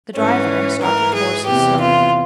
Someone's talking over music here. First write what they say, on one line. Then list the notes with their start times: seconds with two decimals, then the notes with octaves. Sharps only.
The driver started the horses slowly.
0.16 G#2 E3 C#4
0.81 G#2 E3 A#4
1.14 G#4
1.47 E2 C3 E3 G4
1.81 F4